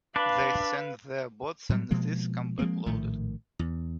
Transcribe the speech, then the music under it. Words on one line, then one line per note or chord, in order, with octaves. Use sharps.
They send their boats and these come back loaded.
D4 B4 F5
A2 F#3 G3
B2 F3 G#3 A#3
F3 G#3 A#3 C4
A#1 A2 D#3 A3
E2